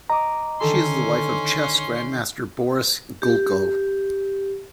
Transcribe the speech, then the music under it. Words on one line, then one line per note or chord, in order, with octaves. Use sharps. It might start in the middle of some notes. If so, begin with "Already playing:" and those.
She is the wife of chess grandmaster Boris Gulko.
D#5 A#5 D6
D3 D#3 C#4 A4 C6
G4